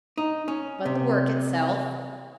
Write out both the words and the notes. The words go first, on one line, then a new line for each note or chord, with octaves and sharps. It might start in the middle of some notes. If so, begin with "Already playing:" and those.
"But the work itself?"
D#4
C#4
C3